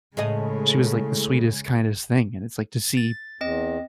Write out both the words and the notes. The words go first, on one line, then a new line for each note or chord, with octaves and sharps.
she was, like, "the sweetest, kindest thing," and it's like, to see,
A2 C#3 G#3 G#4 D#5
A6
E2 C4 D#5